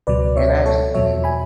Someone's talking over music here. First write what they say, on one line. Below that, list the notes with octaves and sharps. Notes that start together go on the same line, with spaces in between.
and I just didn't,
C#2 B2 F#3 B4 D5
C#5 E5
A4 C#5
E2 B2 F#3 C#5 E5
G#5 B5